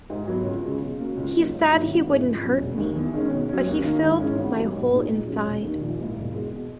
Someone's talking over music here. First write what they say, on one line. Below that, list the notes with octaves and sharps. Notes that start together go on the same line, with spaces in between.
He said he wouldn't hurt me, but he filled my whole inside.
G#2
F#3 B3 F#4
C#2
C#3 G#3
B2
A#3 C#4 F#4
C#2
C#3 F#3 A#3 D#4
G#2
D#3 F#3 A#3 E4
G#1
G#2 E3 G#3
C#2
B2 F#3 C#4
E1
D#2 D#3
E2
D#3 G#3 C#4
B2
F#3 C#4
D#2
D#3 A#3
G#2
E3 G#3 C#4
G#1
G#2 F#3 B3
B1
A#2 A#3 D#4 G#4
A#2
F#3 C#4 G#4
E1
D#2 D#3
A#1
G#2 D#3 A#3 E4
E1
E2 B2 G#3
B2